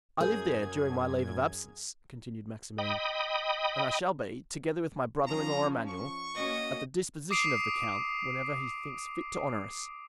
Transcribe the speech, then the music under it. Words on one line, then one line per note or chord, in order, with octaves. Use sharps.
"I live there during my leave of absence," continued Maximilian; "and I shall be, together with my brother-in-law Emmanuel, at the disposition of the Count, whenever he thinks fit to honor us."
F#2 G#4 A#4 G6 G#6
D#5 G5 B5 D#6
F3 C#4 A#5
C#6
A#3 C#4 F#4 D#5
D6 D#6 C7 D7 F7